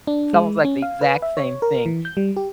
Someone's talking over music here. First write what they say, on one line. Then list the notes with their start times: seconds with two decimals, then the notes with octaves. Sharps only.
it's almost like the exact same thing,
0.07 D4
0.33 G#3
0.65 C#4
0.82 F5
1.01 B4
1.22 E5
1.37 C#5
1.62 A#4
1.86 E3
2.05 G6
2.17 G3
2.36 G4